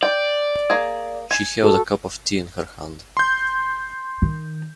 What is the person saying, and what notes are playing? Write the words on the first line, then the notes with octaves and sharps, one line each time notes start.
She held a cup of tea in her hand.
D5 G5
A#3 G#4
G#5
F#4 A4
C6 G6
D#3